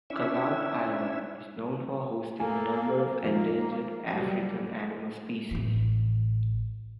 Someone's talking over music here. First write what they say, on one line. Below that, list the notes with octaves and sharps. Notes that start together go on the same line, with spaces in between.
Calauit Island is known for hosting a number of endangered African animal species.
C#4 D4 E4 E5
A#3 A4 G#5
D#3 F3 G#3 A#3
F#3 G3
A1 E3